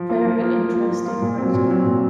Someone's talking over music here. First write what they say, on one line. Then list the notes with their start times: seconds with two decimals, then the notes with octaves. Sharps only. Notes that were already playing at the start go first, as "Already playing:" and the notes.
Very interesting writer.
Already playing: F3
0.10 A#3 F4
0.25 F3
0.41 A#3 F4
0.58 F3
0.74 A#3 F4
0.90 F3
1.06 A#3 F4
1.22 A#2
1.38 F#3 C4
1.54 A#2
1.70 F#3 C4
1.86 A#2